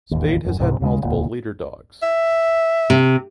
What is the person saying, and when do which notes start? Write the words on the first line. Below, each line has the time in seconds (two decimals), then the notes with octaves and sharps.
Spade has had multiple Leader Dogs.
0.11 E1 A1 D#2
0.44 D#1 F#2
0.60 C2 G#2 C3
0.81 D#2 C#3 G3 G#3
1.02 E1 D2 A#2
2.03 E5
2.90 C3